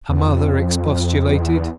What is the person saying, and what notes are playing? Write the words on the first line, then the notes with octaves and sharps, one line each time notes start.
Her mother expostulated.
E2
F2
E2